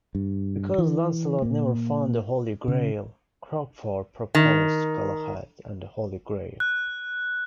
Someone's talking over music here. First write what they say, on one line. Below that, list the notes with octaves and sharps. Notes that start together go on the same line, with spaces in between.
Because Launcelot never found the Holy Grail, Crockford proposed "Galahad and the Holy Grail".
G2
E3
A#2 A#3
C#3
D#3
F#6